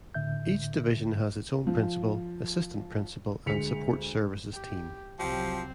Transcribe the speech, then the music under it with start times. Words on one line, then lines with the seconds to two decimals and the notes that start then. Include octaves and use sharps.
Each division has its own principal, assistant principal, and support services team.
0.14 A2 D3 E5 G6
1.67 F3
3.46 D2 G#3 B6 C#7 F7
4.53 G4
5.19 C2 F3 F#3 C4 G4